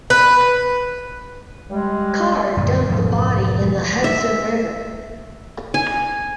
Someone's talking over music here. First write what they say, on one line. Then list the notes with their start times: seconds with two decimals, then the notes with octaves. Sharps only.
Carr dumped the body in the Hudson River.
0.10 B4
1.71 G3 G#3
2.57 F#2 A#2 D3 F3
2.89 E1 G#2 F3 A3
4.04 E5
5.74 G#5